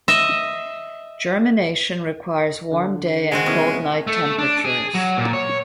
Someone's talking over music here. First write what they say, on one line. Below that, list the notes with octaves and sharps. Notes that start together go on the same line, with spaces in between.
Germination requires warm day and cold night temperatures.
D#5 E5
D3
D#3 G#3 C4 F#4
C3 B3 C#4 E4
A3
D4
G#4
F#3
A#2
C#5